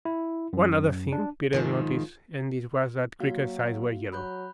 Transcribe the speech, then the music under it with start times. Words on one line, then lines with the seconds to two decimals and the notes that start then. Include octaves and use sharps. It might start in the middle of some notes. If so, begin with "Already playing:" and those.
One other thing Peter noticed and this was that Creaker's eyes were yellow.
0.05 E4
0.53 F#2
1.12 D4
1.53 G#2 D#3 F3
3.20 F#3 A#3 F#4 F5
4.12 F#3 B5 F#6 G6